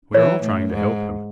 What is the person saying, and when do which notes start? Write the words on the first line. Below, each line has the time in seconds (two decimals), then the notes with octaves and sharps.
We are all trying to help him.
0.14 E3 C#5
0.43 A2
0.73 G#2